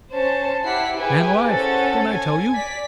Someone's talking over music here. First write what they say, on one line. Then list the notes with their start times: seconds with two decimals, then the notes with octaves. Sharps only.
'Man alive, don't I tell you?
0.13 C#4 C5 A5
0.64 E4 G4 F#5 B6 C7
0.98 E4 G4 G#4 B4 G5 G#5
1.50 C#4 A4 C5 F#5 A6
2.07 G#5
2.55 D5 B6